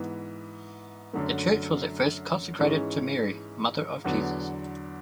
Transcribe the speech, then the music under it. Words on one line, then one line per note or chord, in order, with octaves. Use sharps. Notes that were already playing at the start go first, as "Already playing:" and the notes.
The church was at first consecrated to Mary, mother of Jesus.
Already playing: G#2 E3 B3
F#2 D3 F#3 A3
G#2 E3 G#3 C#4
E2 D3 F#3 B3